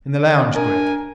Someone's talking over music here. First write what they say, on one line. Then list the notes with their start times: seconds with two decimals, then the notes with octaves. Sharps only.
"In the lounge, Gregg?"
0.55 D4 A#4 G#5